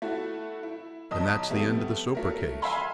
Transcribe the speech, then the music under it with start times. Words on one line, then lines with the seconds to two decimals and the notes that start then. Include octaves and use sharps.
Then that's the end of the Soper case.
0.02 A3 E4 F#4
0.63 E4
1.11 B1 D#5 A5 D#6
1.50 F2 G3 A3 B3
2.15 F#3 A3 A#4
2.62 E5 F5 G#5 B5 C6